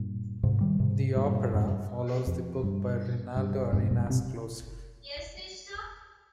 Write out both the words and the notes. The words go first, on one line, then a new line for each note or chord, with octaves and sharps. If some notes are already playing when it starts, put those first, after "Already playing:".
The opera follows the book by Reinaldo Arenas closely.
Already playing: G2 A#2
G#2 C3
D#3 G3
G#2 C3
G2 A#2
F2 G#2
G2
F2
G2
G2
F2 G#2
G2 A#2
C3